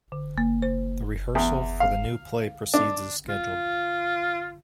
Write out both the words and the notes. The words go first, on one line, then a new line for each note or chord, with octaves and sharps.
The rehearsal for the new play proceeds as scheduled.
D3
A#3
C5
E2
F5
D4
F4